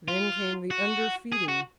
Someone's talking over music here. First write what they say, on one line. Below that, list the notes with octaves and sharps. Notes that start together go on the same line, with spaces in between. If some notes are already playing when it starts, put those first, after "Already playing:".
Then came the underfeeding.
F4
F#4
G#4
F#4